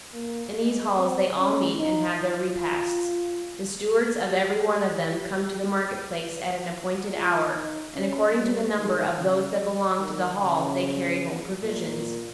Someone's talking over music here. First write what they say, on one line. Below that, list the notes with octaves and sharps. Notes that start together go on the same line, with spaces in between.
In these halls they all meet and have their repasts; the stewards of every one of them come to the market-place at an appointed hour, and according to the number of those that belong to the hall they carry home provisions.
A#3
G#3
C4
C#4
D#4
F4
G4
G4
F4
D#4
C#4
G3
D#3
C#3
D#3
C#3
A#2